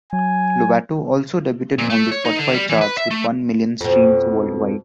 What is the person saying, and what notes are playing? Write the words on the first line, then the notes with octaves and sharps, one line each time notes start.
Lovato also debuted on the Spotify charts with one million streams worldwide.
F#3 G#5
A#2
A3
C#5
D#4
D3
G3
E3
B4
E5
A3
F2 B2